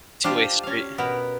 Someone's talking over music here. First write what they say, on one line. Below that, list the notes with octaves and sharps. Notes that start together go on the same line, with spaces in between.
two way street.
D4 F4 G4 C5
C#4 F5
B2 B3 A#4